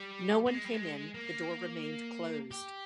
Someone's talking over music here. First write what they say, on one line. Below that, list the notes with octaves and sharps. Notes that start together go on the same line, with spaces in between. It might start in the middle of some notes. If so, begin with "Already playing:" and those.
No one came in, the door remained closed.
Already playing: G3
A#3
G#3
G3
G#3
A#3
G4